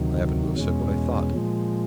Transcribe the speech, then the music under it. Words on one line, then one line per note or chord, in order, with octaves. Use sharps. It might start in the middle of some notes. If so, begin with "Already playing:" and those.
I happen to have said what I thought.
Already playing: D2 C3 D#3 F#3
E2 B2 G#3 C#4
A#2 F3 G#3